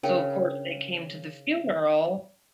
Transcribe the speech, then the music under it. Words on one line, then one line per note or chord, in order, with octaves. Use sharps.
so of course they came to the funeral
C#3 D4 A#4 G5